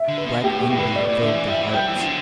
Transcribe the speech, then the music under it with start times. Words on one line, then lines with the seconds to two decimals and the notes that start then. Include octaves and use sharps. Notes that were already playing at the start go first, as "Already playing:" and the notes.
Black envy filled their hearts.
Already playing: E5
0.08 D3
0.18 B4
0.26 B2
0.44 A2 G4
0.61 G4
0.69 B2
0.77 D3 B4
0.86 B2
0.95 A2 D5
1.08 A2
1.22 D3 E5
1.35 E3
1.48 G3 E5
1.61 E3
1.74 G3 G5
1.88 E3
1.96 B2
2.00 D3